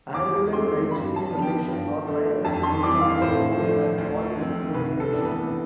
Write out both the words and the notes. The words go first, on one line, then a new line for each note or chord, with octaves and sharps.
Angolan-Nigerian relations are primarily based on their roles as oil exporting nations.
E2 D6
D3 A3 C4 C6
G2 B5
A5
F3 B3 D4
G5
G2
D3 A3 D4
F2 A5
C6
E3 G3 C4 D6
F5
A2 C5
F3 A3 D4
D2
D3 F3 C4
C2 B4
A4
C3 E3 B3 D4
B4